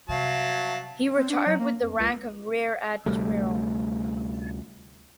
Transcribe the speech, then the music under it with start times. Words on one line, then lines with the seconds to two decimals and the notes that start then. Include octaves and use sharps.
He retired with the rank of Rear Admiral.
0.09 C3 F#3 G3 E5 F5 A5
1.17 C4
1.30 D4
1.46 F#3
1.59 A#3
1.83 F2
1.99 C#2
3.06 D2 C3 G3 A3